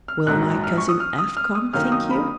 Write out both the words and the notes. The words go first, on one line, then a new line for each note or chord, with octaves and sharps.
Will my cousin F. come, think you?
F6
A#1 G#2 F#3 F#6
F6
C#6
D#6
F6
D#6
F6
D#6
F#2 D#3 A#3 D#4 F6
D#6
B5